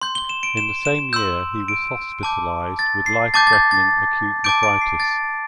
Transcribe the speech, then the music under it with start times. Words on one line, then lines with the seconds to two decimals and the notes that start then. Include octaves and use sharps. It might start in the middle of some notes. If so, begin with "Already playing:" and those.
In the same year he was hospitalized with life-threatening acute nephritis.
0.02 C6 G6
0.15 G7
0.29 E7
0.43 D7
0.57 E7
0.85 E7
1.13 C6 E6 G6
1.68 D7
2.23 A5 D6 G6
2.79 A6
3.06 C7
3.34 A5 D6 G6 A6
3.47 A6
3.53 G6
3.71 A6
4.44 A5 D6 G6 D7
4.63 D7
4.81 C7
5.00 A6